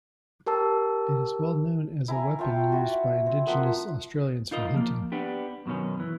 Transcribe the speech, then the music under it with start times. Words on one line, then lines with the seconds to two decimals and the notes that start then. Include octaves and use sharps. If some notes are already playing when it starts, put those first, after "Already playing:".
It is well known as a weapon used by Indigenous Australians for hunting.
0.46 G4 A#4 A5 E6
2.08 E4 G#5 A#5
2.39 F4 C#5 G5 A5
2.72 E4 F#4
3.26 C4
3.47 F3 A#3 E5 F#5
4.51 D#4 F4 A#4 D#5
4.74 F3 A#3
5.12 B3 D4 G4
5.66 F#2 B2 D#3 C#4
6.00 E3